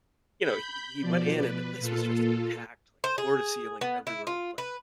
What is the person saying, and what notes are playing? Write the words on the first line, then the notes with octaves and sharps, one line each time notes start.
You know, he he went in, and the place was just, like, packed, like, floor to ceiling everywhere with, like,
B5 G6
B2 F3 D5
B4
A#2 F4 A4
C5
G#4
B3
E4
F4
B4